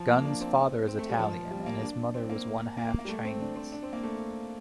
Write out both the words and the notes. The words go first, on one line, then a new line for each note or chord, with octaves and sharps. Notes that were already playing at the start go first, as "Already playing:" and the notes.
Gunn's father is Italian and his mother was one-half Chinese.
Already playing: F3
A#3
D4
C4
C4
A3
G3
F3
G3
A#3
D4
C4
A#3
A#3
A#3
A#3
G3
A3
C4
D4
C4
D4
C4
A#3
A3